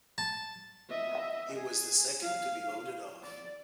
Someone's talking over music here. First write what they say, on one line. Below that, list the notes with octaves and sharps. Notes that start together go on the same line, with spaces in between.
He was the second to be voted off.
A5
D#5 E5
G#4
F5
D5